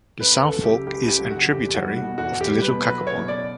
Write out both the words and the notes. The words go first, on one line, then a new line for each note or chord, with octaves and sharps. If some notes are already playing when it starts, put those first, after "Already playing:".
The South Fork is an tributary of the Little Cacapon.
C#2 B4
C#2
A4
F#3
G4
C#3
C#2 G4
C#2
G4
F#3
F#4
C#3
E2 G4
E2
F#4
G3
F#4
B2
E2 F#4
E2
G4
G3
B4
B2
F#3 B4
F#1
C#5
B2
D5